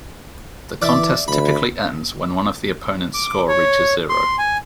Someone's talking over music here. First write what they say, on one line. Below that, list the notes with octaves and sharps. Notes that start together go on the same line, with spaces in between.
The contest typically ends when one of the opponents' score reaches zero.
E3 D5 E5
D2 B5
D6
C#5
C6
G#5